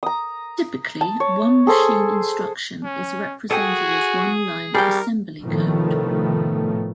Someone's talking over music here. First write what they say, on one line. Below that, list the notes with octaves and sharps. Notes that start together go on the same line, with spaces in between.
Typically, one machine instruction is represented as one line of assembly code.
A#5 D#6
A5
C#5
G#4 A4 C5 G#5
C#4
F#4 G#4 A4 G5 G#5
G3 G#4 A#4 G5
A2 C3 D#3 F3 A3 B3